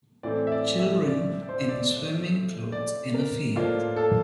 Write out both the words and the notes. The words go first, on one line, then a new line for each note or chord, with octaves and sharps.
Children in swimming clothes in a field.
A2 E3 A3 C4 D5
E5
D5
E5
D5
D5
C5
D5
D5
D5
A#4
A2 F3 A#3 D4 F4
A4